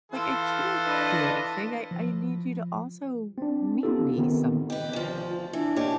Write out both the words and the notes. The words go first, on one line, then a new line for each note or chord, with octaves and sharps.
like, I can't do anything, I I need you to also meet me somewhere."
E3 F4 A4
D4 B4 D#5
F3
C4 D4
B3 C#4 D#4 F4 G4 A4
D#3 B3 C4
G4 B4 D#5
D2 F3 F4
E3 D4
A#2 G4 C#5 D#5